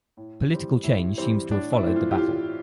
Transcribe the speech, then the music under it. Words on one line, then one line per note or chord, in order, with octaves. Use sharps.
Political change seems to have followed the battle.
A2
E3 G3 C4
A2 E4
E3 G3 C4
A2 D4
E4
E3 A3 C4
F4
G4
A2 F4